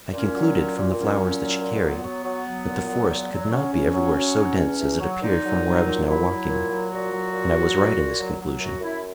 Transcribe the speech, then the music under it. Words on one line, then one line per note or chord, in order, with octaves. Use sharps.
I concluded from the flowers that she carried, that the forest could not be everywhere so dense as it appeared from where I was now walking; and I was right in this conclusion.
A#2 C#4
F#3
A#2
A#2
F#3 C#4
A#2
F#3
A#2
F#3 B3
F#3
F#3
F#3
A#2
F#3
A#2
F#3
F#3 C#4
C#3
F#3
F#3
F#3
E2
E2
F#3
A#2 D#4
F#3
F#3
A#2
F#3 E4
F#3
A#2
F#3
A#2 F#4
F#3
A#2
F#3
A#2
A#2
F#3
F#3
F#2 F#4
F#2 E4